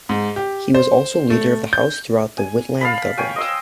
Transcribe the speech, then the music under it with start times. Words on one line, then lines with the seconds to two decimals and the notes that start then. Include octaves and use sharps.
He was also Leader of the House throughout the Whitlam government.
0.09 G#2
0.36 G4
0.75 C5
1.30 A3
1.73 G6
2.38 G#5
2.81 F5 A5 B5
3.17 C#5 G5 G#5
3.36 D#5 C6 E6